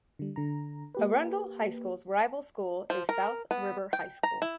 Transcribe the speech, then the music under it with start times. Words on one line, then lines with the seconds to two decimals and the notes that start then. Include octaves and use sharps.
Arundel High School's rival school is South River High School.
0.19 D3 G3
0.36 D3 A#5
0.95 A#3 G4 B4
2.90 F3
3.09 A#4
3.51 B3
3.93 G5
4.23 A#5
4.42 E4